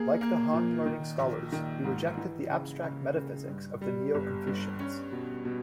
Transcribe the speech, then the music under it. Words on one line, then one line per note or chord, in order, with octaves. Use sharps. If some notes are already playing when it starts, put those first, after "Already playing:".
Like the Han learning scholars, he rejected the abstract metaphysics of the Neo-Confucians.
Already playing: A#3 G#4
A#3
A#2
D#3
A#1
D#3
G#2
E3
C#3
C#3
C#3
G2
G3
G1
G2
C#4
B2
B2